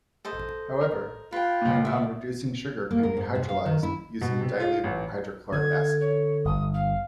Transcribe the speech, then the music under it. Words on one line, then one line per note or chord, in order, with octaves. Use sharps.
However, a non-reducing sugar can be hydrolyzed using dilute hydrochloric acid.
A4 C5 D#5
A#4
F4 B4 G5
C#2 A#2
D5 E5
A#3
A#4
G#2
C3
F5
D#3
E4
B2
C3
F4
A1
D3 G#6
C#5
G1 D#6
F5